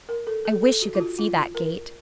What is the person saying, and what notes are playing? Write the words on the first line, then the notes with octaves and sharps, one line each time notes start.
I wish you could see that gate.
A#4
A4
A4
A4
F#4
F4
F#4
F4
A#4